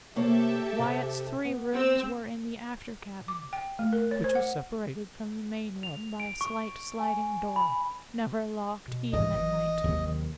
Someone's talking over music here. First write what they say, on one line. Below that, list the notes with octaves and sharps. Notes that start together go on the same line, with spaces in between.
Wyatt's three rooms were in the after-cabin, which was separated from the main one by a slight sliding door, never locked even at night.
C3 A#3 G4 A4 C#5 E5
C3
B3
C4 E6
D6
G5
A3
A#4
C#5
C5
F#5
F7
D7
C#6
G#5
B5
B2
G#1 E2 G2 C3 D#5
G#1 E3
D#2 C3 F#3
D#3